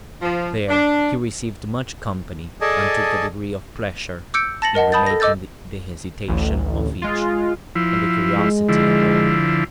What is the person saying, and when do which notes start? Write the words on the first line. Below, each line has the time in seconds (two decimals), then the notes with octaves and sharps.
There he received much company, and took a degree of pleasure in remarking the hesitation of each, and the curiosity of all.
0.22 F3
0.69 D4
2.61 G#4 A4 D5 D#5 G#5 A5
4.34 D6 E6 G6 C#7 D7
4.62 A5 A6 A#6 C#7 F#7
4.75 A#4 D#5 F#5 A5
4.92 A5 B5 D#6 G6 A6
5.07 A4 A#6
5.20 D#5 D6 E6 G6 A6
6.28 A1 D2
7.02 G#3 F4
7.75 F3 E4
8.37 G#3
8.69 D3 F3 E4